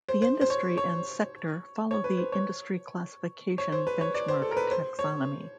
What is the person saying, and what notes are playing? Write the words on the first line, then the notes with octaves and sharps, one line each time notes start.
The industry and sector follow the Industry Classification Benchmark taxonomy.
C5
C5
C5
C#5
C#5
C#5
B4
C5
C#5
C#5
C5
B4
C#5
D5
C5
A4
A#4
B4
C5
C#5